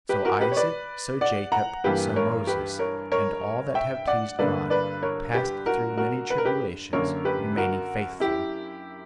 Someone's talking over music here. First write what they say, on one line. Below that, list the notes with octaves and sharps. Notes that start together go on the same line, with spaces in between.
So Isaac, so Jacob, so Moses, and all that have pleased God, passed through many tribulations, remaining faithful.
G4 B4
F#4 A#4
G4 B4
C#5
B4 D5
D5 F#5
F#5 A#5
G2 E3 A#3 G4 B4
A#4 C#5
G4 B4
A#4 C#5
A#4 C#5
E5 G5
D5 F#5
G2 D3 A#3 B4 D5
B4 D5
A#4 C#5
G4 B4
F#4 A#4
F#4 A#4
B4
A#4
G4 B4
F#2 D3 A#3 A#4 C#5
G4 B4
F#4 A#4
E4 G4